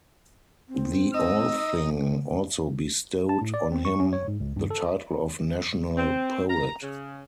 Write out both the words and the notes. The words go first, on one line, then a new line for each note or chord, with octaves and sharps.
The Althing also bestowed on him the title of "National Poet".
C4
D#4 D#5 E6
A5
A2
D5
C4
C#6
C#4
C#5
G#2
C#2
G2
A4
C4
A#5
C#3